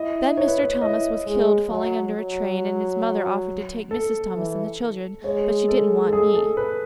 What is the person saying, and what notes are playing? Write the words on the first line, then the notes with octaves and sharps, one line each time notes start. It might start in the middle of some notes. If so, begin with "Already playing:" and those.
Then Mr. Thomas was killed falling under a train and his mother offered to take Mrs. Thomas and the children, but she didn't want me.
Already playing: E4 D#5
C#5
B4
C#5
E4 D#5
G#3
F#3
F#3
A4
E3
G#3 C#5
A4
A4
G#4
A4
B4